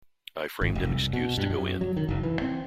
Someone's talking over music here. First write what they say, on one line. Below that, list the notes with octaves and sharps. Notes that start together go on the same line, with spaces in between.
I framed an excuse to go in.
G#1
F1
C2
B2
G2
F#2
F#3
D#3
F#1
E3
C4